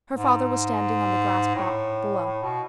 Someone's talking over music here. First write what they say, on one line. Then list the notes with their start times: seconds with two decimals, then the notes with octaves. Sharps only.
Her father was standing on the grass-plot below.
0.14 G#2
1.55 A2
2.25 A2
2.43 B2